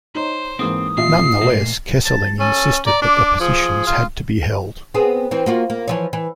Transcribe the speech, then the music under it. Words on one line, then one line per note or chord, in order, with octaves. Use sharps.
Nonetheless, Kesselring insisted that the positions had to be held.
D#4 C5 C#5
G#2 E3 A#3 C4 D#6
A1 A#2 F4 E5 C7
A#2 A3 A#3
A5
C#4 A4
D5 A#5
D4 D6
F3 G#4
F4
B3 C4 G#4
E3 C4
A#3 F4 F#4
A#3
E3 F3 C#5
E3